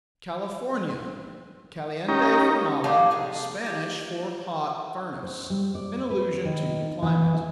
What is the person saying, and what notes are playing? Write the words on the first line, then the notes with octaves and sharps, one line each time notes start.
California--Caliente Fornala, Spanish for "hot furnace," in allusion to the climate.
C#4 D#4 G4 A#5
A2 A#3 G4 F5 A5 A#5
C3 G#4 A4
G4
C5
G3
D5
B4
D#3
E3
E5